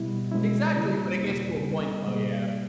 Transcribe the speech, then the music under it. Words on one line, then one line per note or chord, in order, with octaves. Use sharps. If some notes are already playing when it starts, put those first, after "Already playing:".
Exactly, but it gets to a point though, yeah.
Already playing: B2 G3 B3 E4
B2 G#3 C#4 E4
C#3 G3 A#3
E2 B2 G3 A#3 D#4
C#3 G3 B3
B2 G3 A#3